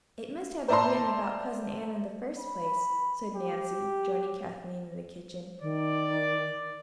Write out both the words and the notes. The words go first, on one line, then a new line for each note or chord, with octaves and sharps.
"It must have been written about Cousin Ann in the first place," said Nancy, joining Kathleen in the kitchen.
C5 D5 E5 A5 A#5 C6
B5
G4
D#3 D5